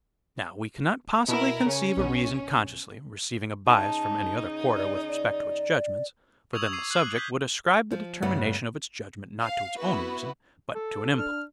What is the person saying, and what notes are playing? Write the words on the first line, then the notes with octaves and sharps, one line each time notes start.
Now we cannot possibly conceive a reason consciously receiving a bias from any other quarter with respect to its judgements, for then the subject would ascribe the determination of its judgement not to its own reason, but to an impulse.
B2 E4 A#4
C#3 C#4
B1 B2
C#3 D#4 A5
D5
D5
C#6 D#6 E6 G#6 F7 F#7
D6 C7 D#7
F#6 C7 D#7 F#7
G6 G#6 B6 G7
F3
G2 C#3 A3 B3 F#5
F5
B3 E4 F#4 B4
A4
D4 F6